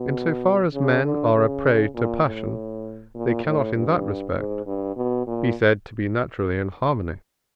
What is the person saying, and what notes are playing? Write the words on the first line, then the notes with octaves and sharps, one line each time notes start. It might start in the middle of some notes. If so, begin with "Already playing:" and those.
In so far as men are a prey to passion, they cannot, in that respect, be said to be naturally in harmony.
Already playing: B2
C#3
D3
C#3
A#2
A2
A#2
A2
G2
G#2
G2
B2
A#2